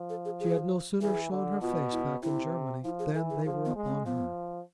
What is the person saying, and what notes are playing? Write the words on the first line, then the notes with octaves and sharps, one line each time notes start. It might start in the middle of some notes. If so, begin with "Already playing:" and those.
She had no sooner shown her face back in Germany, than they were upon her.
Already playing: F3
A4
G#4
G#4
E3 G#4
D3
B2 F4
E4
C3 E4
F3 E4
G#4
E3 A4
G#4
F3 G#4
B3
G#3
C4
F3 B3